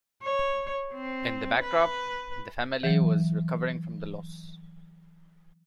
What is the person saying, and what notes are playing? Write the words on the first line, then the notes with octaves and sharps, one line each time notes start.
In the backdrop, the family was recovering from the loss.
C#5
C4
B4
E3 F#3